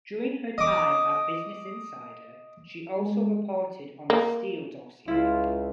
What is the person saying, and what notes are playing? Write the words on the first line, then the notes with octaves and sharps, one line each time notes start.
During her time at "Business Insider" she also reported on the Steele dossier.
D#5 D6
G#3
A#3
C#2 E4 F4